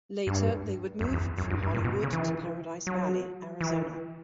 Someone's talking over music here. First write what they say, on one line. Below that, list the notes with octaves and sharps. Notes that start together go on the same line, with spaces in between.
Later, they would move from Hollywood to Paradise Valley, Arizona.
G2
F#2
E2
F#2
G2
G2
A#2
B2
C#3
E3
F#3
E3